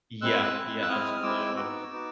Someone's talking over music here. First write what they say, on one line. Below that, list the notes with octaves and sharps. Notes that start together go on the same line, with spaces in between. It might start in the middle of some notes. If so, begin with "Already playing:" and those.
Yeah, yeah, absolutely, I would.
G#3 C4 E4 E6 F#6
G#3 C4 E4
E6
G#3 C4 E4 D#6 F6
F6
G#3 C4 E4 D6 E6
B3 D#4 F#4 D6 E6
B3 D#4 F#4